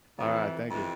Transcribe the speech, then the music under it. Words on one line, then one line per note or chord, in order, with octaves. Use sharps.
Alright, thank you.
F2 C3 E3
F2 C3 E3